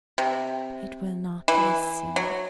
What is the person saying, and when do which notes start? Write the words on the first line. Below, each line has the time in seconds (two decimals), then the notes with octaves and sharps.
"It will not listen!"
0.18 C3
1.48 E3
2.16 F#3